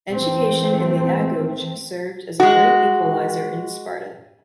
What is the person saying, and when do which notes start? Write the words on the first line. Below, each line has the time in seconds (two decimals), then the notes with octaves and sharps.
Education in the "agoge" served as a great equalizer in Sparta.
0.11 E3 A3 C4
2.40 G#3 F#4